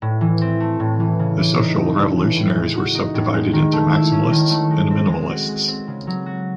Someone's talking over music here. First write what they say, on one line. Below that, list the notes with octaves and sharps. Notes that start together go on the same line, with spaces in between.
The Social Revolutionaries were subdivided into Maximalists and Minimalists.
A2
E3
C4
A3
A2
E3
C#3
E3
D#4
A3
C#3
E3
A2
G#3
F#4
D#4
A2
G#3
D#3
A3
E4
C#4
D#3
A3
G#3
C4
G#3
F#4
G#3
C4
C#3
F#3
F#4